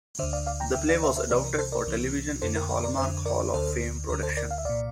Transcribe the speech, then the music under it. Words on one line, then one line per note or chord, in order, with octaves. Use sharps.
The play was adapted for television in a Hallmark Hall of Fame production.
D2 D3 C5 E5
D5 F5
D5 F5
G5 A#5
D2 D3 E5 G5
D5 F5
C5 E5
C5 E5
C2 C3 E3 A#4 D5
A#4
A4 C5
A#4 D5
C2 C3 E3
F2 D3 A4 C5
A#4
A#4
A#4 D5
F2 D3 C5 E5
A#4 D5
D2 D3 A4 C5
D2 D3 A#4
A4 C5
A#4 D5
F5
E5
C2 A#2 D5 F5